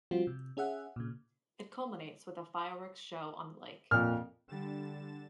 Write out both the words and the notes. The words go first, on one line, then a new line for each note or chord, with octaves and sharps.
It culminates with a fireworks show on the lake.
F3 G3 C4 F4 F#4
C3
C#4 G#4 E5 F#5
A#2 C#3
F2 A#2 F6
D3 G3 A6 E7